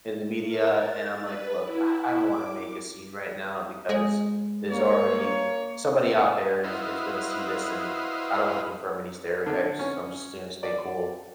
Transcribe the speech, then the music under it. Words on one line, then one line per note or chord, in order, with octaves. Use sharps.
in the media, and I'm like, "Look, I I don't wanna make a scene right now because there's already somebody out there is is gonna see this and I don't wanna confirm any stereotypes, so I'm just gonna stay cool."
A#4
A6
B4
E4
E4
D6
G#3
A#3 C#5
E4 F#4 B4 C5 D#5 F5
D3
C#4
D5